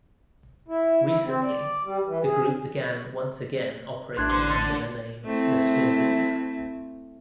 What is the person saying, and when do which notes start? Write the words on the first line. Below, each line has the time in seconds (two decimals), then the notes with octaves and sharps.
Recently, the group began once again operating under the name The Swingles.
0.68 E4
1.05 E4
1.25 C4
1.43 D5
1.85 G3
2.06 E3
2.23 G#4
4.17 A1 D4 C6 F#6 G#6
4.29 D3 C5
4.50 A5
5.26 A3 C4 E4